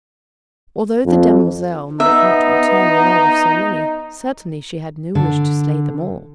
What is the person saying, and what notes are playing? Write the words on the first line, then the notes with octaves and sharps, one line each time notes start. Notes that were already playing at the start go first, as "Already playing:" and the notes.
Although the demoiselle might not return the love of so many, certainly she had no wish to slay them all.
F2
B3 D#4 E5
D3